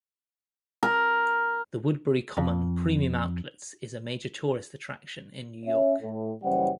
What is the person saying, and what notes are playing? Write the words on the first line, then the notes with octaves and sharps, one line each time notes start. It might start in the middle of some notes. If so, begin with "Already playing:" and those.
The Woodbury Common Premium Outlets is a major tourist attraction in New York.
A#4
F2
C#4 C#5 E5
A2
F#1 E3 G3 C#4 C5 F#5